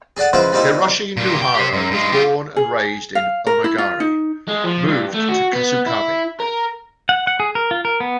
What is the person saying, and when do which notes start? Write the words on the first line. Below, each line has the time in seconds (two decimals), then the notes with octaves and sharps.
Hiroshi Nohara was born and raised in Omagari, moved to Kasukabe.
0.17 G#4 A4 D5 F#5 A5
0.33 C#3 F3 G#3 E4 B4 C5
0.52 G3 A#3 C4 D#4 E4 A4
1.17 A#2 G3
1.42 G5
1.55 G4 C5
1.73 F#2
1.91 G2 G#3
2.12 F4 G4
2.56 G#4
3.15 F5
3.47 A#4
3.64 E4
3.78 F4
4.00 D#4
4.48 G#3
4.64 F3
4.89 G2
5.14 A3
5.29 F#4
5.53 B3
5.86 E4
6.40 A#4
7.09 F#5
7.27 F#5
7.40 G#4
7.55 A#4
7.71 F4
7.85 A#4
8.00 B3